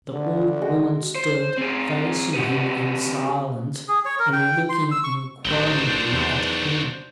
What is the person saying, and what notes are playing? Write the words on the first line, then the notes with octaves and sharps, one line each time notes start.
The old woman stood facing him in silence and looking inquiringly at him.
D3
G#3 F#4 G5
C5
C4 G#4
C4 F#4 G4 B4
G#4
C#5
A#4
G5
C6
E6
C#6
A1 D#3 F#3 D4 C5
E2